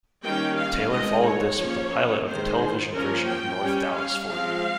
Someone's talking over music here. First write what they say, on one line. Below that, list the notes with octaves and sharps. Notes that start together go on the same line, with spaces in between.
Taylor followed this with the pilot of the television version of "North Dallas Forty".
D#3 G3 A#3 C#4 G5
F5
D#3 G#3 C4 D#5
C#5
F3 A#3 C#4
D#3 G#3 C4 C5
F3 A#3 C#4 A#4
G5
G3 C#4
F5
F3 G#3 C4 F5